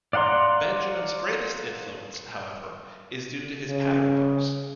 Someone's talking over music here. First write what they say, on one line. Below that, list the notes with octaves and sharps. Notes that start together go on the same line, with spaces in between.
Benjamin's greatest influence, however, is due to his pattern books.
D5 F5 F#5 A#5 C6
C#3